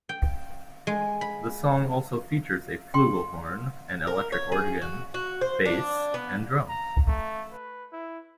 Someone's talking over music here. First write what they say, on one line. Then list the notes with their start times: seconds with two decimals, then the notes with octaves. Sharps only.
The song also features a flugelhorn, an electric organ, bass, and drums.
0.09 G5
0.87 G#3
1.21 B5
2.94 G5 C6
4.07 A#4
4.32 C#5
4.52 G#4
4.82 F#4
5.14 F#4
5.41 C5
5.66 D4
6.14 B3
6.69 A#5
7.08 A3
7.53 B4
7.93 E4